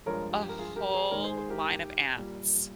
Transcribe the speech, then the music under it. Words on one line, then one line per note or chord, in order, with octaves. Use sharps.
a whole line of ants
G2 F3 G#3 A#4 C#5
G4
A#4
F4 G#4
G4 A#4
G#4 C5
G#2 D#3 G#3 A#4 C#5
G#4 C5
G#4 C5
G4 A#4
A#2 G3